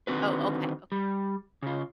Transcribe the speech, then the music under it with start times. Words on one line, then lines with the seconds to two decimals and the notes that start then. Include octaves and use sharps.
Oh, okay, okay.
0.07 D3 D#3 C4 F#4 B4
0.92 G3
1.63 C#3 F4